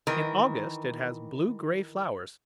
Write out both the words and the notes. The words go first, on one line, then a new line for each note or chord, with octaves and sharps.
In August it has blue-grey flowers.
D#3 E3 A#4